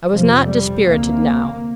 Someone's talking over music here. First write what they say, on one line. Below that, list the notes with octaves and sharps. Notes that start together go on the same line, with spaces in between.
I was not dispirited now.
F2 C3 F3
G3
D2 C3 A#3